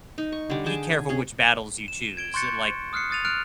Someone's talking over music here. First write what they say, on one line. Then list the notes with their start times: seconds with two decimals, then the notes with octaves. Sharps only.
be careful which battles you choose. Like,
0.18 D#4
0.32 C#6
0.50 D3 G3
0.66 G#4 G5 A5
0.91 G#4
1.09 C#4 G#4
1.88 E7
2.17 G#6 D7 G7
2.34 C6 C#6 F#6 G6 A6 C#7
2.93 D#6 F6 F#6 C7 C#7
3.10 D#6 F#6 A6 D#7 F7
3.25 F6 F#6 D7 F7